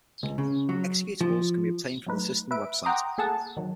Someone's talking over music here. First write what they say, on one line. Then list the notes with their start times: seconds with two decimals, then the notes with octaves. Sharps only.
Executables can be obtained from the system website.
0.23 C#2
0.38 C#3
0.69 F#3
1.21 F3
2.07 F#3 A3 D#4 B4
2.51 B4 E5 D7
2.84 F#5 G5 A#5 C6 D6 D#6
3.18 A#3 G#4 A4 F#5 A5
3.57 D#3 F#3